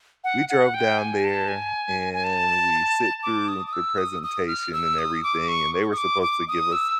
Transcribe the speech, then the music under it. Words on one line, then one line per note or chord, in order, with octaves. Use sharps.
we drove down there, and we sit through the presentation and everything, and they were supposed to give us
F#5
F#5
G5
G#5
A5
G#5
G#5
A5
D6
D#6
D#6
E6
D#6
D#6
F6
E6
D#6
D6
C#6
D#6
D6
D6
D#6
E6